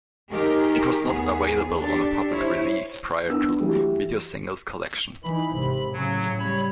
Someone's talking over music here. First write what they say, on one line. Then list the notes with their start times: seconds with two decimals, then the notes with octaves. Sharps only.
It was not available on a public release prior to "Video Singles Collection".
0.30 D#3 G4 G#4 A#4
1.01 D#2 B3 G#4
1.79 D4 G4 A4
2.29 E4 C5 C#5
3.27 B3 D4 E6
3.60 E3 A3 F#4 G4
5.23 E3 D#4 B5
5.53 G#1 C3
5.93 A2 C#3 F#3
6.39 G3 C#5 B5